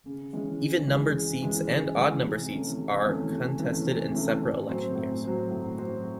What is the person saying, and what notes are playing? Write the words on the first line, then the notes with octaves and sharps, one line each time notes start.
Even numbered seats and odd numbered seats are contested in separate election years.
C#3
E3 G#3 C#4
C#3
E3 G#3 C#4
C#3
E3 G#3 C#4
C#3
E3 G#3 C#4
C3
E3 A3 C#4
C3
E3 A3 C#4
C3
E3 A3 C#4
C3
E3 A3 C#4
A2
F#3 C4 F#4 C5
A2
F#3 C4 F#4 C5
A2
F#3 C4 F#4 C5